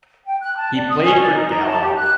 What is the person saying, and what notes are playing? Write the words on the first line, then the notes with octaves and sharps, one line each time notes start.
He played for Gala.
G5
F#6
A5
D5
D#6
C#4
D5
D#4
A#5
A5
G4
F#6